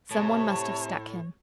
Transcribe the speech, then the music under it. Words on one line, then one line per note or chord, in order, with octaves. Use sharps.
Some one must have struck him.
A2 C3 C#5 A5